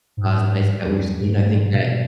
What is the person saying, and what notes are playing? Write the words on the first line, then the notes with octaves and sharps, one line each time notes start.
uh, sites that we've seen, I think that,
G#2
F2
G#2
G#2
G#2
B2